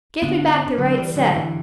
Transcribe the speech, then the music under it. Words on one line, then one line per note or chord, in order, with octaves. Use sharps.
'Give me back the right set.
G2 D3 B3 D4
D3 F#3
E3 G3
D3 F#3
G2 D3 E3